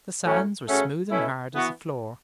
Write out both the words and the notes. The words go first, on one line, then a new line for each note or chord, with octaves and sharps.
The sands were smooth and hard as a floor.
A2 F#3 C#4
C#3 A3 C#4 F#4
B2 A3 C#4 E4
E3 B3 F#4